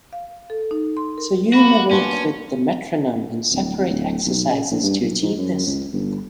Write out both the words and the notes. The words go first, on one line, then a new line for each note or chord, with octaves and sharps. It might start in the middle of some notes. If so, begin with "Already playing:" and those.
So you may work with the metronome in separate exercises to achieve this.
F5
A4
D#4
C6
A#4
A#3 F#4 B5
B3 C#4 D4 F#4 C6
D1
G#1
D1
B1
C#3
A#1
G2
B1
G#2
F#2
C#2
G1